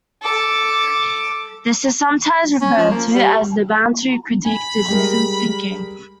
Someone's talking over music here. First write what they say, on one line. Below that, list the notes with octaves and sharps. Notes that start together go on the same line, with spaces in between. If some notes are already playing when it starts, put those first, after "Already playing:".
This is sometimes referred to as the boundary critique to systems thinking.
A4 D6
C#4
F3
A#3
G3
G#5 B5
G3 G#3 A#4